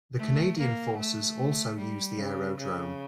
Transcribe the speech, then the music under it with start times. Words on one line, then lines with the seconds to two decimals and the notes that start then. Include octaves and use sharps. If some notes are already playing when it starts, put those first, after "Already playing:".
The Canadian Forces also use the aerodrome.
0.18 A3
0.59 A#3
0.98 A3
1.78 G3
2.18 C#3
2.58 C#3